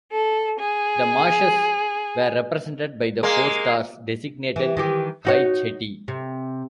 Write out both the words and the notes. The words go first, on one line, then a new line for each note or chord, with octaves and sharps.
The marshes were represented by the four stars designated Phi Ceti.
A4
G#4
G#3 A#3
E3 G4
D#3 E3 G4
D#4 F#4 C#5
C3